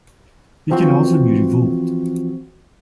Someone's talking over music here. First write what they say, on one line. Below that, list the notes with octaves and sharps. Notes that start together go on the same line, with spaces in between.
It can also be revoked.
E3 F3 C4 F4 F#4